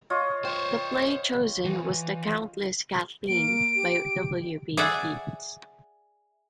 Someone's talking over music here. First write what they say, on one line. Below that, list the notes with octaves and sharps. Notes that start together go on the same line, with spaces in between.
The play chosen was "The Countess Cathleen" by W. B. Yeats.
F4 C#5 D#5
C5 C#5 G5
E3
A#3 D7
G4
G#4 D5 E5 F#5